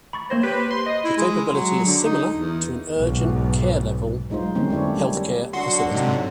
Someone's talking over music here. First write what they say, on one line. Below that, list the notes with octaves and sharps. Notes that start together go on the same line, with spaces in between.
The capability is similar to an urgent care-level health care facility.
B5 C#6 A6
A#3 C5 C#5 A#6
G4 B4
C5
C6
D#5
E4
G#3
F#3
D3
D#4
E2
B1 G#2
F#3 G#3 D#4 F4 C5
D3 G3 G#3 A#3 C4 C#4
C#4 D4 E4 G4 C#5
G3
D3 F#3 F#4 C6
G#2 C3